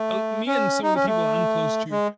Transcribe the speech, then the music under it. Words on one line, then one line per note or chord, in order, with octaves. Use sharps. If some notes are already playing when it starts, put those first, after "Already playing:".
uh me and some of the people I'm close to
Already playing: A3
C#4
D#4
C#4
A3
G#3